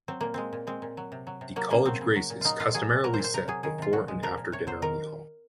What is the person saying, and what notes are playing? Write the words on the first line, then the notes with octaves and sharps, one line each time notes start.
The college grace is customarily said before and after dinner in the hall.
F#3 C4
A#2 A#3
G#3 C4
A#2
G#3 C4
A#2
F#3
C3
F#3
C3
F#3 A#3
C#3 A#3
F#3 C4
C#3
F#3
A#2
F#3 D#4 F4
A#2 F4
F#3 G#4
A#2
F#3 A#4
C5
A#2
C5
C3 A#4
F#3 G#4
D#3 G#4
C3 F4
A#2 F#4
G#3
F3 A#4
A#2
C3 C#5
F#3 C5
D#3 A#4